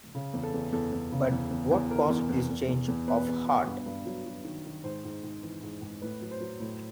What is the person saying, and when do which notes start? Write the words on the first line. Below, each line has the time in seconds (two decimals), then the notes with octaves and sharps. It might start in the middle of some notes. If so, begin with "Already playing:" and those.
But what caused this change of heart?
0.15 C#3
0.33 E2
0.43 A4
0.54 E2
0.72 E2 A4
0.92 E2
1.12 C#3
1.31 E2
1.51 E2
1.71 E2
1.91 E3 A#4
2.10 E2
2.29 E2
2.50 E2
2.68 E2
2.88 E2
3.07 B2 B4
3.27 E2
3.47 B2
3.67 G2
3.86 G2
4.06 F#3
4.25 F#3
4.44 D#3
4.65 D#3
4.84 G#2 C5
5.04 G#2
5.23 G#2
5.43 E3
5.62 G#2
5.82 G#2
6.02 A2 B4
6.21 F#3
6.31 C5
6.40 F#3
6.60 A2